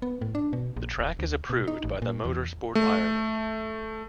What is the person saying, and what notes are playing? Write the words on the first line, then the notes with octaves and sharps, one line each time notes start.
The track is approved by the Motorsport Ireland.
B3
A2
D4
B2
A#1
D1
D2
B2
D#4
A1
A#2
E2
A3